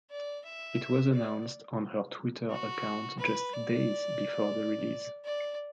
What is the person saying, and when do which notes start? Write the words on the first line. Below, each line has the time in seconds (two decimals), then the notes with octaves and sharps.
It was announced on her Twitter account just days before the release.
0.10 D5
0.45 E5
1.13 D5
2.50 F#4
3.19 B4
3.52 D5
5.24 D5